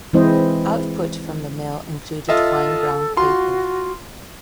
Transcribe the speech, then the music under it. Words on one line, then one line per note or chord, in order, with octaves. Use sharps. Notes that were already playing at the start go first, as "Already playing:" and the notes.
Output from the mill included fine brown paper.
E3 G#3 C4 E4 C5 D#5
F4 A4 D#5 E5
F4 F#4 C6